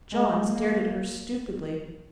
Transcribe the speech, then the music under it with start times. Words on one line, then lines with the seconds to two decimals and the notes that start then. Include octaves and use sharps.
John stared at her stupidly.
0.12 G#3
0.47 A#3